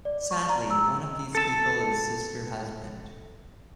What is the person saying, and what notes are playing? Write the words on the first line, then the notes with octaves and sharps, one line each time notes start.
Sadly, one of these people is Sister Husband.
D5
C#6
A#5
E6
A4 A5